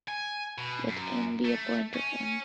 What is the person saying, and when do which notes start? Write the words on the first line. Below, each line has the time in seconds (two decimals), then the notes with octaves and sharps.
Let "m" be a point on "M".
0.08 G#5
0.58 B2
0.89 F#2
1.45 A3
1.94 C#4